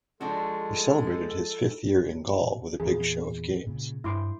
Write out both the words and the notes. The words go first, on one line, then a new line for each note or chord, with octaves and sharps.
He celebrated his fifth year in Gaul with a big show of games.
F3 G#3 D4 F#4 A4
E2 A#2 G#4
A#2 C#3
G2 E4 C6 D6